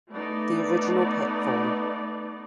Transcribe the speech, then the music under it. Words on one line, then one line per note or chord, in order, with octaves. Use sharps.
The original Pitfall!
A3 B3 D#4 D5